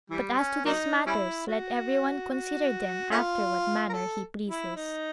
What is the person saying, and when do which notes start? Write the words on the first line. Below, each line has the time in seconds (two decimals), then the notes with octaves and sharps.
But as to these matters, let every one consider them after what manner he pleases.
0.10 E3 G3
0.38 C#4
0.65 F#3 A#3 D#4
1.06 G3 C#4 E4
1.47 F#4
2.30 F#4
3.11 A3 C#4 F4
3.90 A#4
3.93 A4
4.49 E4
4.76 D#4